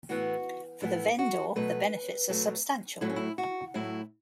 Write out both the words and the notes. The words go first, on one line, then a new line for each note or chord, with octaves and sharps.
For the vendor, the benefits are substantial.
A2 E3 B3 F#4
A2 E3 B3 E4
F#4
B2 F#3 A3 B4
B2 F#3 A3
A2 F#3 A3 E4
C#4
E4
F#4
A2 F#3 A3 E4